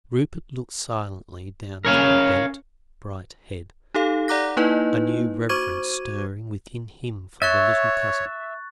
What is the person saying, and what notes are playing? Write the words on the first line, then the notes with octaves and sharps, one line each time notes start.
Rupert looked silently down at her bent, bright head, a new reverence stirring within him for the little cousin.
C#4 A#4 C#5 F5
D#4 G4 A4 F5
D5 F#5 A#5 D6 F#6 A#6
A#3 D#4 E4 B4 D#5
F#4 C5 C#6 D6 G#6 D#7
C#5 E5 C#6 F#6 A6